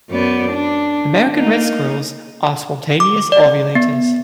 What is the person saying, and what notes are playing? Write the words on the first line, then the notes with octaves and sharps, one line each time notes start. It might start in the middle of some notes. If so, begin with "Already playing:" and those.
American red squirrels are spontaneous ovulators.
F#2 B3 D5
D4
A#3 D#4
D6
D5
B3